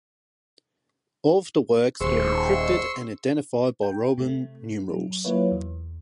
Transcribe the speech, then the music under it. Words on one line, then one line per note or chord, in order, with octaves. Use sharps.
All of the works were encrypted and identified by Roman numerals.
D#1 G#4 C5 C6 C#6 E6
G5
C3 A3
F#3
F#3 A#3 E4 F4 B4 C#5
E2